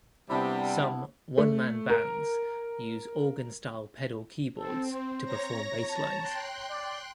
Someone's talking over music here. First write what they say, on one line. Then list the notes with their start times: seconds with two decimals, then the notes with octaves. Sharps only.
Some "one-man bands" use organ-style pedal keyboards to perform basslines.
0.30 C3 G3 B3 D4 E4
1.38 A3
1.90 A#4
4.57 C4 A4
4.90 C5
5.24 C#5 A#5 A#6
5.89 A5
6.21 G5 C6 F#6
6.70 D5